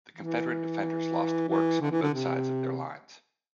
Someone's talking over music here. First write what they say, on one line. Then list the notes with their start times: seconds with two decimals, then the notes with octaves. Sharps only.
The Confederate defenders lost works on both sides of their lines.
0.17 E3
1.48 E3
1.81 D3
1.91 E3
2.02 D3
2.14 C3